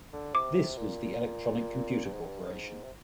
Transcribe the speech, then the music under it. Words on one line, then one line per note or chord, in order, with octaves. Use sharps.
This was the Electronic Computer Corporation.
D3
C3 D6
A#2
G2
G#2
G2
G#2
C3